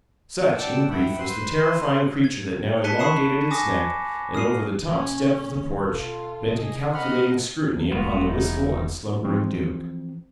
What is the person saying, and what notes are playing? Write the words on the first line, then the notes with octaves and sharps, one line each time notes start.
Such, in brief, was the terrifying creature that now elongated its neck, and, over the top step of the porch, bent a calculating scrutiny upon the wistful and slumberous Duke.
D5 F#5 G5 A5 E6
E5 F#5 G5 B5
B4 C5 C6
G#6
A5 F#6 B6 C#7 D#7 G7
B5 C#6 D#6 C7 C#7 E7
G#5 D6 D#6 A#6
D#6 F6 C7 D#7
B2 A#3 C#4
F#1 D#2
B2 F4 A4
C3 G#4 D#5
A#3 C4 D#5 F#5 B5 F6
E1 G#3 A#3 B3 F4 F#4
E3 B3 D#4
E3 F3 C4